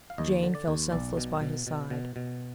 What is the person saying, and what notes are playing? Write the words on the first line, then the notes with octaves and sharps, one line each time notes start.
Jane fell senseless by his side.
F5
D#2 D#5
D3
D5
D#2
B1 D5
B2
B2
B2
B2
B2